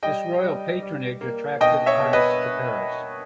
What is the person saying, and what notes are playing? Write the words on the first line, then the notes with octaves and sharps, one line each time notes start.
This royal patronage attracted artists to Paris.
G3 D#5 G5
G3
G3
A#3
B2 D#5 G5
C#5 E5
B2
B4 D#5